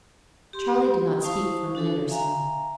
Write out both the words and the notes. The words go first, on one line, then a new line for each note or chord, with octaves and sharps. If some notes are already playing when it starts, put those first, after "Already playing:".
Charley did not speak for a minute or so.
G4 C6
E4 C5 F5 A5 C#6 D#6
D4 F#4 A4
E5 F5 G#5 A#5